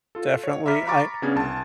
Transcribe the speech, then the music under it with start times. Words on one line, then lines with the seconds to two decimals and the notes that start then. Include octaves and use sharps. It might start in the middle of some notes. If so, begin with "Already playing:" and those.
Definitely. I
0.15 F4 A4
0.44 C#5
0.66 E5 A#5 B5 D6 F6 B6
0.87 A#5 B5 C#6 D6 A6
1.22 C#3 B3 C#4 D4 G#6
1.36 C2 A5